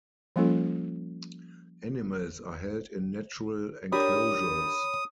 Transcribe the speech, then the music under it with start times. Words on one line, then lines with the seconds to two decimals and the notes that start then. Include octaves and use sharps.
Animals are held in natural enclosures.
0.36 F3 G3 A#3 C#4 F4 A4
3.92 D4 G4 A#4 C#5 B5 D#6